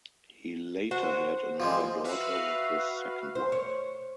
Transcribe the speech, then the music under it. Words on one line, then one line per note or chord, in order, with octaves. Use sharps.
He later had another daughter with his second wife.
F#4 C5
F3 G3 G#3
F#4 B4 E5 F5
C5
C#5